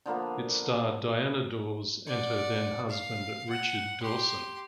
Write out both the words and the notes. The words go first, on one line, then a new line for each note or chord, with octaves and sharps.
It starred Diana Dors and her then husband Richard Dawson.
D3 F3 A#3 B3
D5 F#5
F5
F#5
G4 C6